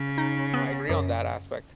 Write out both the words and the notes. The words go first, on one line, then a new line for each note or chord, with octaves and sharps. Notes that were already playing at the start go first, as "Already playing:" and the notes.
I agree on that aspect.
Already playing: C#3
D#4
B3
F#2